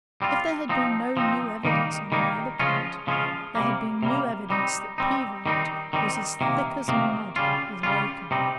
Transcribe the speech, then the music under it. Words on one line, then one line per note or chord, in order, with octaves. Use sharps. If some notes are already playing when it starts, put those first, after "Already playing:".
If there had been no new evidence on any other point, there had been new evidence that Pivart was as "thick as mud" with Wakem.
G3 C4 F4
F3 C4 D#4
F3 C4 D#4
D#3 G3 A#3 D#4
D#3 G3 A#3 D#4
C#3 F3 G#3 C#4 F4
C#3 F3 G#3 C#4 F4
C3 G3 A#3
C3 G3 A#3
G3 C4 D#4
G3 C4 D#4
D#3 G3 C4 D#4
D#3 G3 C4 D#4
C3 D#3 A#3
C3 D#3 A#3
C#3 G3 C#4 F4
C#3 G3 C#4 F4
C3 G3 C4 D#4